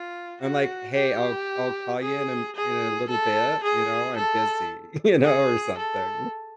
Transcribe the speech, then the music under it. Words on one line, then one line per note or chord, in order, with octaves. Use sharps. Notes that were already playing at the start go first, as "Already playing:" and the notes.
I'm like, "Hey, I'll I'll call you in a m in a little bit, you know, I'm busy," you know, or something.
Already playing: F4
F#4
G4
G#4
G#4
A4
G#4
A4
G#4
A4